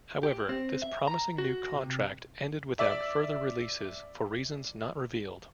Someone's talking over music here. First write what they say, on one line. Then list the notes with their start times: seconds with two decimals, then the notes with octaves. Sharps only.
However, this promising new contract ended without further releases for reasons not revealed.
0.23 G4
0.49 C4
0.82 E5
1.07 A#5
1.38 F#4
1.76 C3
2.79 D5 E5